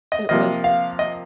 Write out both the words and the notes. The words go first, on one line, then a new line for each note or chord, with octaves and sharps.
it was
D#5
C3 F3 A#3 D#5
F5
D#5